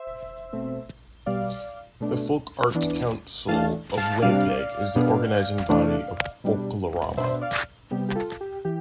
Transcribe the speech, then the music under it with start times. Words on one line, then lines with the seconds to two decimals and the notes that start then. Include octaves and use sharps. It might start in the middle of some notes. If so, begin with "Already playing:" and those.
The Folk Arts Council of Winnipeg is the organizing body of Folklorama.
Already playing: C5 E5
0.53 B2 A3 C4
1.26 B2 G3 B3 D5 F5
2.00 B2 A3 D4
2.75 E3 B3 D4
3.48 E3 A3 D4 F5 A5
3.97 F5 A5
4.22 C3 G3 D4 D5 F5
4.96 B2 B3 D4
5.70 C3 E3 A3 D4
6.44 B2 G3 D4
7.17 B2 B3 D4 C5 E5
7.41 D5 F5
7.91 C3 G3 B3 G4
8.09 G4
8.15 F4 A4
8.41 G4
8.65 E3 G4